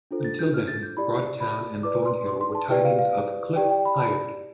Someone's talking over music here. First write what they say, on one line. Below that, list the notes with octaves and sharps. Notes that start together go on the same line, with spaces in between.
Until then, Broad Town and Thornhill were tithings of Clyffe Pypard.
D4 F4 A4 C5
A6
G6
F6
A6
G6
E4 G4 D5 B5
B5
E4 B4 D5 D6
C6
C6
C6
A5
E4 G4 B4 D5 G5
F5
F5
E4 G4 D5 G5
G5
B5